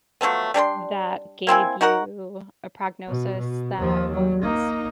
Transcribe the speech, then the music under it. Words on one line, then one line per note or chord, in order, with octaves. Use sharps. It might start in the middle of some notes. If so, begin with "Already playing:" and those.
that gave you a prognosis that was
F3 F#3 A3 B3
G3 D4 A#4 C6
A#3 C4 E4 G#5
D#4 F#4 A#4 F#5
B2
B2
D#2 F3
F#3
A#3 D#4